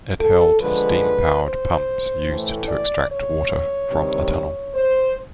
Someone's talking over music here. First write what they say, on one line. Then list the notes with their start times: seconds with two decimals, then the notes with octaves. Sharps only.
It held steam-powered pumps used to extract water from the tunnel.
0.20 A4
0.60 D3 F3 G#3 B4
1.43 C5
2.27 A2 E3 A3
2.67 D5
3.10 C#5
3.92 C3 D#3 G3
4.75 C5